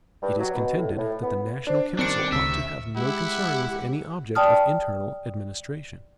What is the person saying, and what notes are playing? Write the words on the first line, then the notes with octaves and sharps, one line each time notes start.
It is contended that the national council ought to have no concern with any object of internal administration.
G2
F#3
B2
A2
A2
B3
D4 C5 D5
D#3 G3 C4 D4 C#7
D2 C#3 E5
G#3 E4 G4 F#5
D5 G5 A5 D#6 F6